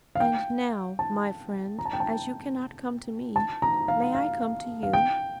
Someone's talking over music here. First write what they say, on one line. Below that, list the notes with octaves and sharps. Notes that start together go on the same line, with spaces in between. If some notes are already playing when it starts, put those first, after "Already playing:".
And now, my friend, as you cannot come to me, may I come to you?
F5
G5
A5
A#5
A5
G5
A5
A5
A#5
F5
F5
F5
G5